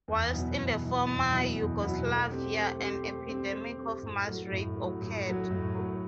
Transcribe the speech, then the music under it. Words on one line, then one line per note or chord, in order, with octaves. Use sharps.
Whilst in the former Yugoslavia an epidemic of mass rape occurred.
E2
B2 F#3 B3 E4
E2
B2 F#3 B3 E4
E2
B2 F#3 B3 E4
E2
B2 F#3 B3 E4
A3
C4 G4
A3
C4 G4
A3
C4 G4
A3
C4 G4
A2
F#3 A3
A2
A3
F#3
A2
F#3 A3
A2
F#3 A3